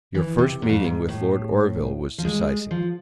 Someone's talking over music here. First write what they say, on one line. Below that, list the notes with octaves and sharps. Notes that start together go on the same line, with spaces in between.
Your first meeting with Lord Orville was decisive.
E3
C3
G#2
F2
G#2
A2
F3
G#3
F3